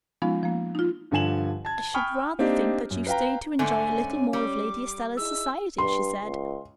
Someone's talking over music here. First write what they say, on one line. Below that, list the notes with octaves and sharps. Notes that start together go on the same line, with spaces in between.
"I should rather think that you stayed to enjoy a little more of Lady Estelle's society," she said.
F3 G#3 B3 C#4 D#4 F4
F3 A#3
D#4 F4
G2 D3 F3 G#5 E7 F#7
A5 G#6
G5 G#5 B5 C#6 D#6 F6
A#3 C4 D4 D#4 G4
F#2
B4 F5 G5 A#5
G#2 D3 A3 G#5
C#4
G3 D6
D#4 E4 G#4 E6
G2 C6
C#2